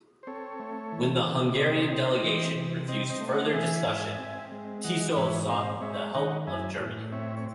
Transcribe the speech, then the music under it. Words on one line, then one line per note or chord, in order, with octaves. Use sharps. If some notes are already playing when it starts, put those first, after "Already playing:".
When the Hungarian delegation refused further discussion, Tiso sought the help of Germany.
C5
C4 A4 C#5
A3
E3
C#3
C3 C5 D#5
C4
E3
C3
C4 C5 D#5
C5 D#5
A3
D#5 F#5
E3 E5 G#5
G#2
C4
G#3
E3 D#5 F#5
G#2 C#5 E5
C4 C5 D#5
G#3 C#5 E5
D#3 D#5 F#5
F#2 E5 G#5
A2
C4 C#5 E5
C#5